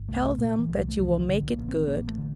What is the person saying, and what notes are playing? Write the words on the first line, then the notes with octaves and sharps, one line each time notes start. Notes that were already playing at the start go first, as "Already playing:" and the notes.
Tell them that you will make it good.
Already playing: G1
C2 A3
A#2 A3
E3
C2 F3
G3
A3
C2 F3
E3
E3
A1 D3
A#3
A1
C4
A1 A#3
A3
D3